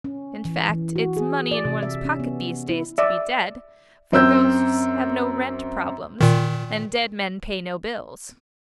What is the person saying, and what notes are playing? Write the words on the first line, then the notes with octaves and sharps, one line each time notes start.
In fact, it's money in one's pocket these days to be dead, for ghosts have no rent problems, and dead men pay no bills.
C#4
E3
E3
F#4
G#4
D5
C3
E5
C#4
B3
E4
D5 E5
F#2 C4 E6 G6
A#2 D#3